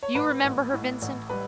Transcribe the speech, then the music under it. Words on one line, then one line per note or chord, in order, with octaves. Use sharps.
Do you remember her, Vincent?
C#5
A1 B4
A1
A2
A1
G3 B4